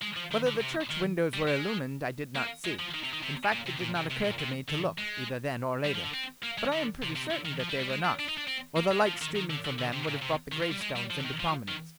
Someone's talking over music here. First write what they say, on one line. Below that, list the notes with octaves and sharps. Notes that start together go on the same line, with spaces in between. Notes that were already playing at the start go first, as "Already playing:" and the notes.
Whether the church windows were illumined I did not see--in fact, it did not occur to me to look, either then or later--but I am pretty certain that they were not, or the light streaming from them would have brought the gravestones into prominence.
G#3
F3
D#3
D3
C3
D#3
G3
G#3
A#3
G#3
F3
D#3
C3
D#3
C3
A#2
C3
A#2
C3
C3
A#2
C3
D3
G#3
G3
F3
D3
C4
A#3
G#3
D3
C3
C3
D3
D#3
F3
G3
G3
G#3
D4
D4
D#4
D4
C4
A#3
G#3
F3
D#3
D#3
D3
D3
D3
C3
A#2
C3
D#3
F3
G3
G#3
G3
F3
D3
D#3
F3
D#3